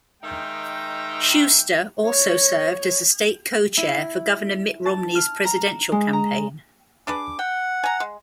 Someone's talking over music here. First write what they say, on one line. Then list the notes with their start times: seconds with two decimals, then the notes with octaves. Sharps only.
Shuster also served as a state co-chair for Governor Mitt Romney's Presidential campaign.
0.23 D#3 G#3 D#4 E5 G5
2.07 C#5
3.77 E4
4.86 A5
5.15 F6
5.45 A#5
5.92 G#3
6.13 A#5
7.07 D4 G#4 B4 D6
7.39 F#5 G5
7.84 G#5 A#5
8.00 G#3